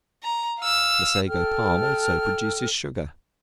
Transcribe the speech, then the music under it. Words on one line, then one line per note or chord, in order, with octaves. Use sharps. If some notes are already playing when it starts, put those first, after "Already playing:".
The Sago Palm also produces sugar.
A#5
F5 E6
A4 G5 F6